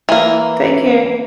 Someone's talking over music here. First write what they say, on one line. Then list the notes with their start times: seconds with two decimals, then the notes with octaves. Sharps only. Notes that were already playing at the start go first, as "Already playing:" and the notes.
take care.
0.09 E3 A#3